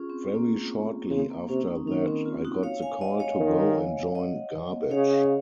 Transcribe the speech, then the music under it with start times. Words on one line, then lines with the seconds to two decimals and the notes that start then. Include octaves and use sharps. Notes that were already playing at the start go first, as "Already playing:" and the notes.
Very shortly after that, I got the call to go and join Garbage.
Already playing: C#4 F4 G#4
0.10 C4
0.35 A#3
1.10 C#3 C4
1.31 A#3
1.49 C3 C#4
1.68 D#4
1.87 D#3 C#4
2.06 C4
2.25 F4
2.45 D#4 F#4
2.63 C#5 F5
2.82 F5 G#5
3.01 D#5 F#5
3.20 C#5 F5
3.40 D#3
4.15 D#5 F#5
4.91 C#3 C#5 F5